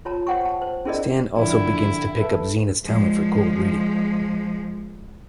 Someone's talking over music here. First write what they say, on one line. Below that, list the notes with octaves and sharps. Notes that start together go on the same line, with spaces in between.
Stan also begins to pick up Zeena's talent for cold reading.
F4 C#5 A5 A#5
C5 C#5 F#5 G5 C#6
A5
C5
C#4 E4 G#4 A#4 D5 D#5
A#1 D3 E4
A4 B4 E5
F3 G#3